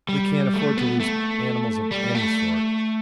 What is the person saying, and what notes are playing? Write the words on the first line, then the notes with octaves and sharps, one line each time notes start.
We can't afford to lose animals of any sort.
G3
A3
B3
A3
G3
A3